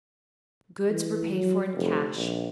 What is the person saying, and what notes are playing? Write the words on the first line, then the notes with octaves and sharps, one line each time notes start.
Goods were paid for in cash.
E3
F#3
F1
A#1